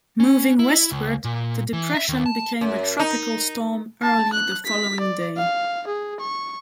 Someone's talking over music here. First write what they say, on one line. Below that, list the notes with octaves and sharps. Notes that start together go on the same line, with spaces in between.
Moving westward, the depression became a tropical storm early the following day.
C#4
E4
C#2
A#2
E3
E5
D#2
A5
F#2
D#4
A5
F#6
B6
D5
F5
G#4
C#6